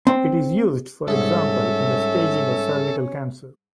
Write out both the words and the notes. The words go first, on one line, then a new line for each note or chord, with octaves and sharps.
It is used, for example, in the staging of cervical cancer.
C4
C2 G#2 C#4 A4 E5